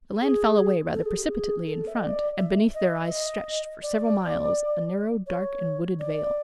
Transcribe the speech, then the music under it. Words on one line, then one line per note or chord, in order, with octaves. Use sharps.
The land fell away rather precipitately in front, and beneath their eyes stretched, for several miles, a narrow, dark, and wooded vale.
G#4
A4
G#4
G4
G#4
A4
E5
D#5
D5
E5
D#5
E5
D#5
D5
C#5
D5